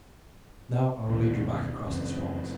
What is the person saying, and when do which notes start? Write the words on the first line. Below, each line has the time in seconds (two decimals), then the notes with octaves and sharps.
Now I will lead you back across the swamps.
1.07 D2 B2 D#3
1.87 F#2 C#3 E3 C4